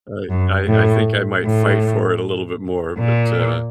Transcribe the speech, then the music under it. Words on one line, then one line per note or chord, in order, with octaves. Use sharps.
I I I think I might fight for it a little bit more, but, uh,
F#2
A2
A2
A#2